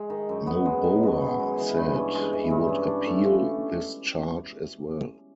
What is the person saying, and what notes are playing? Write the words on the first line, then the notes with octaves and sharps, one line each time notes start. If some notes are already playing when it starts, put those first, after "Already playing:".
Noboa said he would appeal this charge as well.
Already playing: G#3
D#3
F#2
B3
G#3
D#3
F#2
B3
G#3
E3
G2
C#4
G#3
E3
G2
C#4
D4
A3
F3